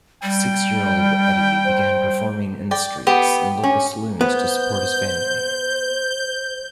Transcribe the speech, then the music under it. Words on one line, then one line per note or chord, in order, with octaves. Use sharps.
Six-year-old Eddie began performing in the streets and local saloons to support his family.
G3 G5
C5
D5 G5
B3 G4
C#4
B3 C5 G6